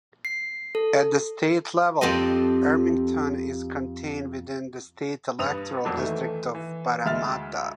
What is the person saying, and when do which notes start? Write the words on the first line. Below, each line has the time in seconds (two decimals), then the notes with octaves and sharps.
At the state level Ermington is contained within the State Electoral District Of Parramatta.
0.25 C7
0.75 A4
2.01 F2 C4 G4 A4 D#5
5.39 G2 B4 D#6 F7
5.85 F2 F#3 A#3 D4
5.97 D#3 E3 A3
6.55 E3
7.05 D2 G#3 E5 F6 A6